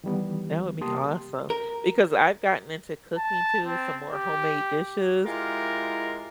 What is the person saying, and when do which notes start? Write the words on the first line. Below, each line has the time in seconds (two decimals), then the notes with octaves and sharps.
That would be awesome, because I've gotten into cooking too, some more homemade dishes,
0.04 D#3 E3 G3 B3
0.81 C3 A#3 G4 A5 C6 D#6
1.50 A#4
3.18 A5
3.66 C4
4.13 G4
5.26 G#3 E4 F4 G4 A#4